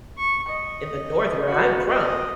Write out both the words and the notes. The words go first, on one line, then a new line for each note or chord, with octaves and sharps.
in the North where I'm from.
C#6
D#5
F#4
D#5